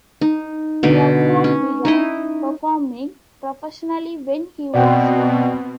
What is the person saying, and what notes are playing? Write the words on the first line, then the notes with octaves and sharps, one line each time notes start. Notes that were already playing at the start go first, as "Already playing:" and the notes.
Beauford began performing professionally when he was nine.
D#4
B2 D3 D#4
C#4
D#4 E4 D#5
B2 C4 D5 F#5 G5